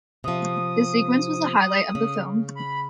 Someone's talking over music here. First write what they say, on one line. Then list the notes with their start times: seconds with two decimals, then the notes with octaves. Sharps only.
The sequence was the highlight of the film.
0.24 C3 F3 D#6
1.95 C#3
2.55 B5